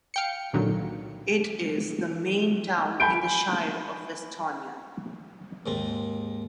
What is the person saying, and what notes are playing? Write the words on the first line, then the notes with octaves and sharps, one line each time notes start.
It is the main town in the Shire of Westonia.
F5 G5 C#7
C2 A#2 D3 D#3 F#3
G#5 B5 G6 D7
D#2 G#2 C4